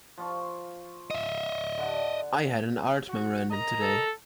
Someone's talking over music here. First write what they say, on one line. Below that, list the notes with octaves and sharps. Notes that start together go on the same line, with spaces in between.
I had an art memorandum today.
F3 F4 C#6
D#5 E5
D3 F#5
F#4
A#4 D#5 A#5
A4